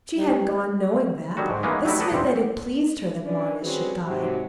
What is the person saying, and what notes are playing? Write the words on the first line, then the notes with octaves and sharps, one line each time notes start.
She had gone knowing that; this meant that it pleased her that Marius should die.
G3
D3 D#3 F#3 G3 F#4
G#2
E3 G#3 A#3 B3 C#4 D#4
F#3 G3 A3 E4
D#4 A4 B4 D5 D#5
E2 G#2 C3 G3 C4
E3 C#4 D4
G3 C4 C#4 F#4 G#4 B4
G#2 C3 F#3